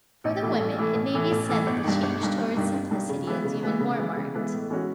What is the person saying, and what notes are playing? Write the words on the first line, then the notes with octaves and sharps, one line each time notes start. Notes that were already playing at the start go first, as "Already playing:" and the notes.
For the women, it may be said that the change towards simplicity is even more marked.
A1
A2 E3 A3
A1
A2 E3 A3
A1
A2 E3 A3
A1
A2 E3 A3
G1
G2 D#3
G1
G2 D#3
G1
G2 D#3
G1
G2 D#3
C#3
E3 G#3 B3
C#3
E3 G#3 B3
C#3
E3 G#3 B3
C#3
E3 G#3 B3
A2
E3 G#3 C#4 F#4